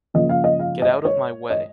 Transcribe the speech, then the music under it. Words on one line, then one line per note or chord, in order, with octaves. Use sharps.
Get out of my way.
C#3 F3 A#3 D#5
F5
D#5
F5
D#5
C#5
D#5